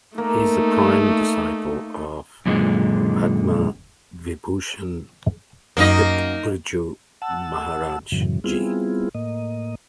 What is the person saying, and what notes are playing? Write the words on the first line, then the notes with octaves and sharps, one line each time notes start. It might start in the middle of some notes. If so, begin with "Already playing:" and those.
He is the prime disciple of Padma Vibhushan Pt Birju Maharaj Ji.
A3 A#3 D#4
F#2 A#2 D3 G#3
F#2 A#3 D#4 D#5
F#5 A5 E6
F#2 A2 C#3 E3 F#3
G3 B3 C4 E4 F4 G#4
A2 A#3 D#5